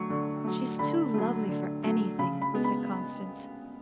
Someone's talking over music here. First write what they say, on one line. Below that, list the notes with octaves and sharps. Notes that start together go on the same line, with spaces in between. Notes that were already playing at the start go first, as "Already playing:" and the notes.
"She's too lovely for anything!" said Constance.
Already playing: D3 F#3 A3 C#6
D3
F#3 A3
D3 B5
F#3 A3
D3
F#3 A3
C#3 B5
B5
G#3 B3
B5